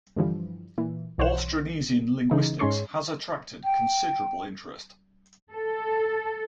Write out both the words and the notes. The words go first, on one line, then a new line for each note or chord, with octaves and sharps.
Austronesian linguistics has attracted considerable interest.
G2 D3 E3 F3 G3
A#2 E3
B1 E3 C5 C#5 F#5 E7
C#3 E3 G#3 D#4
G#2 G#3 C#4 C#5 C6
G5
A4